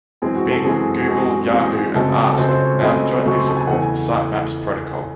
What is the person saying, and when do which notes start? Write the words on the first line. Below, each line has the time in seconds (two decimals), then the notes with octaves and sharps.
Bing, Google, Yahoo and Ask now jointly support the Sitemaps protocol.
0.22 F#2 E3 G#3 C4 G#4
0.36 F#4
0.51 A4
0.65 F#2 E3 G#3 C4 G#4
1.01 F#4
1.08 F#2 E3 G#3 C4 G#4
1.51 F#2 E3 G#3 C4 G#4
1.94 C#2 C#3 F#3 A3 C4 A4
2.33 A4
2.38 C#2 C#3 F#3 A3 C4 C5
2.49 C5
2.60 C#5
2.81 C#2 C#3 F#3 A3 C4 D#5
3.24 C#2 C#3 F#3 A3 C4 C#6
3.37 C6
3.48 A5
3.57 G#5
3.67 E2 C#3 E3 A3 F#5
3.82 G#5